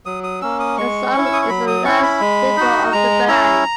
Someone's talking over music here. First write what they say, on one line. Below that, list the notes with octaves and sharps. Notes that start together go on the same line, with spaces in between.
The song is a live staple of the band.
F#3 D#6
D#6
A#3 C#4 E6
D#6
G#3 C#6
C#4 E4
E6
D#6
C#6
F#3 B5
D#6
C#4 E4 C#6
B5
G#3
D#4 F#4
G#3 A#5
C#4 E4 A#5